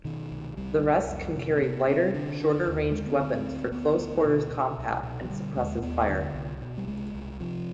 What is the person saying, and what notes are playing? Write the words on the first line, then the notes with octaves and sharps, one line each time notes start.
The rest can carry lighter, shorter-ranged weapons for close-quarters combat and suppressive fire.
B2 D#3
C2
C2 G3
C2
F2
C3
C4
C3 B3
C3 C4
D3 D4
D3
D#2
D3 G#3
B3
D2 C4
D2
D2 B3
D2
B2
B2
C2
B2
F3
D3 G3
D#2 G#3
D#2 B3
D3
C2
B2
G3
C2 G#3
C2
C3 F3